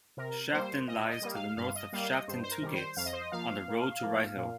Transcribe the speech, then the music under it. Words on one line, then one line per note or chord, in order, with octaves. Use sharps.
Shafton lies to the north of Shafton Two Gates, on the road to Ryhill.
C3 A#4
G3 A#3 C5
A#2 D#5
D#5
G3 A#3
F5
G2 F5
D#5
G3 A#3 F5
D#5
G2 C5
C5
A#4
D#3 G3
C5
F2 F5
D#5
C5
D#5
F3 A#3 F5
A#2
F3 A#3
A#2